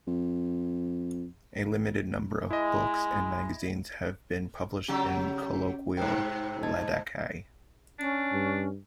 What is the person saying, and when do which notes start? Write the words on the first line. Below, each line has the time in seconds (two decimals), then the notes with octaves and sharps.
A limited number of books and magazines have been published in colloquial Ladakhi.
0.07 F2
2.51 G#3 E4 D#5
4.88 C#3 F#3 C#4 G4
5.97 G#2 C3 G5 F#6
6.63 D#5 A5 G#6
7.99 C#4 D4
8.33 G2